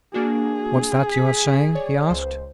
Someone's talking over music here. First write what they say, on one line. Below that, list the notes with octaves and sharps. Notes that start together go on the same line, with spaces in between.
"What's that you are saying?" he asked.
A#3 D4 F#4 G#4
B6
C#5 D5
C#2 C5